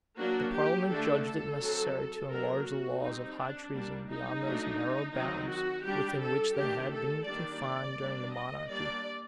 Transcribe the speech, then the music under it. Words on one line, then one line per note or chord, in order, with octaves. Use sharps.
The parliament judged it necessary to enlarge the laws of high treason beyond those narrow bounds within which they had been confined during the monarchy.
F#3 A#3 D4 F#4
G4
D3 A3 D4 A4
A4
F#3 C4
F#3 A#3 D4 A#4
F#4
G3 C4 D#4
D4
G3 A#3 D4
D#4
F#3 A3 D4
D#3 F#3 C4 D#4
F#4
G3 D4 G4
A4
D#3 A3 D4 G4
A4
D#3 G3 A#3 D4 D5
G3 A#3 D4
D#5
G3 A#3 D4 D5